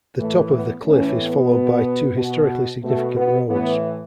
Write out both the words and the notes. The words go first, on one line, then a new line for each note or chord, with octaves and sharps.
The top of the Cliff is followed by two historically significant roads.
A2 E3 A3
B3
A2 E3 C#4
B3
B2
B2
B2 A3
B3
A2 E3 B3